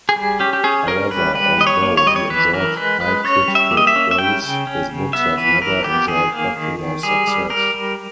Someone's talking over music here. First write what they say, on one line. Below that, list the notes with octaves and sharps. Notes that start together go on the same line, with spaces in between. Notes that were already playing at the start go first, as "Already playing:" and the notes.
However, although he enjoyed high critical praise, his books have never enjoyed popular success.
G#4
G3
C#4 G4
G4
C#4 G#4
C#4 A#4
G3 B4
G3 B4
G3 D#5
C#5
A#3
C#5
G3 D#5
C#5
E3 B4
E3 A#4
G#3 B4
G#3 B4
C#4 C#5
G3
E5
A#3
D#5
E5
C#4
E5
G3 G5
C#3
C#4
C#3
B3 E5
E3 B4
E3 A#4
B3 G4
D#3 G#4
A#3
D#3
D#3
G3 G#4
G3
G3 A#4
G3